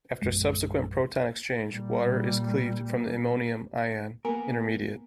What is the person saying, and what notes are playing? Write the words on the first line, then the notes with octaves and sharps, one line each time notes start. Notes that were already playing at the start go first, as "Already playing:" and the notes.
After subsequent proton exchange, water is cleaved from the iminium ion intermediate.
A#1 F#2 G#3
A#2 G3
A#3 B3 A#4 G#5